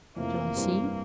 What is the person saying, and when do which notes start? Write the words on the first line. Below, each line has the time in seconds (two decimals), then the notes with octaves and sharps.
"Shall I see?"
0.16 F2 C3 E3 A3 A#3
0.56 G2 E3 G3 C4